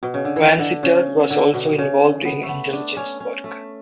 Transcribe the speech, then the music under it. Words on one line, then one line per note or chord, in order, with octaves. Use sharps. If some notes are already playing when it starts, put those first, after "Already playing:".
Vansittart was also involved in intelligence work.
B2
C#3
D3
E3
D3
C#3
D3
B2
C#3
B3
A3
B3
D4
C#4
C#4
A3